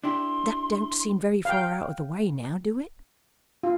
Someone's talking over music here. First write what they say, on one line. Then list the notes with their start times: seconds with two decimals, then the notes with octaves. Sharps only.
That don't seem very far out of the way now, do it?'
0.04 D4 E4 G4 C6
1.45 F5 G5
3.63 F4